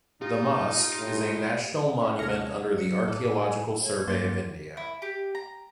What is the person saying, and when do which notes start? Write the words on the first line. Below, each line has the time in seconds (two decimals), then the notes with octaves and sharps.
The Mosque is a National Monument under the Archaeological Survey of India.
0.22 D#4 F4 G4
0.99 A2
2.00 F3 C#4 A4
2.19 D#2 C3 A5 F6 G#6 A#6 C#7
2.78 F#3 C#7
3.08 A2 A4 D6
3.27 G#5
3.81 C#5
4.08 G2 A#3 C6 A6
4.77 E4
5.02 G4
5.35 A#5